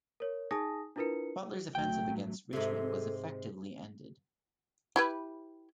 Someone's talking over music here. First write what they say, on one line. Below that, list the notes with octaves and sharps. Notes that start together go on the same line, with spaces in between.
Butler's offensive against Richmond was effectively ended.
A#4 C#5
D#4 G#4 G#5 A5 D#6 A#6
D4 E4 F4 A#4 B4 C#7
A1 F#3 A3 G5
G#2 C3 A4
E4 G4 B4